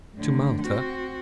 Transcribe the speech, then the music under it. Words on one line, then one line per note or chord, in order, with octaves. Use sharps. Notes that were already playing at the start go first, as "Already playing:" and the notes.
"To Malta?"
A2 D3
C4 F#4